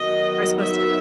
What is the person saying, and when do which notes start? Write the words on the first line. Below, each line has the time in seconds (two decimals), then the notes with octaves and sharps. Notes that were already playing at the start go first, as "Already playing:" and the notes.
are supposed to
Already playing: D#3 F#3 B3 D#5
0.59 E5